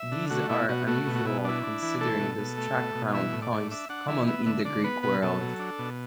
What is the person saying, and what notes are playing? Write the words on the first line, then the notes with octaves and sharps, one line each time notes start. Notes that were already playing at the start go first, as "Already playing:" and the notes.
These are unusual considering the struck, round coins common in the Greek world.
Already playing: E5
D3
A3 F#4
B2 E4
B2 F#4
A3 F#4
B2
F#4
B2 E4
D4 E4
D4
E3
A3 A4
B2
B2
A3
B2
B2
E3 E5
A2
D5
A2
D4 E5
D4 F#5
E3 E5
B3 E5
D3 E5
D3 D5
B3 B4
B2 B4
B2 A4
F#3
D4
B2